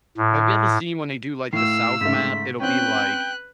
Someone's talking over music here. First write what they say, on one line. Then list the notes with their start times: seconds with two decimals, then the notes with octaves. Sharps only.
have you ever seen when they do, like, the South map? It'll be like,
0.18 A2
1.53 A2 F5 E6 C7
2.01 G#2 C#3 A3 B6
2.60 C4 C#4 B4 G5 F#6